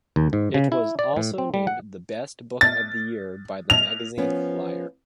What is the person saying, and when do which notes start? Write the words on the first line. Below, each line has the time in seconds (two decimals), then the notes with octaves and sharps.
It was also named the best book of the year by the magazine "Lire".
0.16 D#2
0.33 G#2
0.54 C#3
0.72 E4
0.99 D5
1.16 A2
1.38 C4
1.54 G3
1.67 F#5
2.61 A6
3.70 F7
4.17 F3 B3 C#4